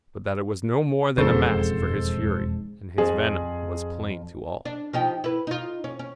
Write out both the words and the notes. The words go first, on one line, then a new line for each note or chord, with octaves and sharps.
But that it was no more than a mask for his fury and his venom was plain to all.
E1 F2 G#2 C#3 G#3 A4 C5
F2 G#4
D4
F3 D#4 G4
E4 B4
D#4 F4
C#4
C#4